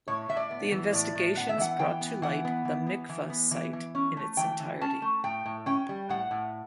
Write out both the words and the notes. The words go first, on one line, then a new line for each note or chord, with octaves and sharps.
The investigations brought to light the Mikvah site in its entirety.
A2 C#5
A2 E5
D5
B3
E3
A2 D5
A2
B3 F#5
E5
E3 F#5
E3 G5
B3
E3 F#5
B3
E3
B3
E3
B3
E3
E3
C#4
A3
E3 G5
E3
C#4 A5
A3
A2 G5
A2
C#4 G5
G3
A2 F#5
A2